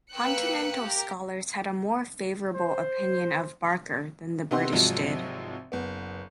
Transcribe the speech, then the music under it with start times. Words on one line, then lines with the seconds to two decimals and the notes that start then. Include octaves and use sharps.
Continental scholars had a more favourable opinion of Barker than the British did.
0.13 A#3 B4 G5 E6 F#6 C#7
0.81 G4 A#4
2.54 C5
4.51 C3 B3 D#4 G4 F#5 C6
4.72 G#1 C3 F3 F#3 G#3
5.72 F#1 B3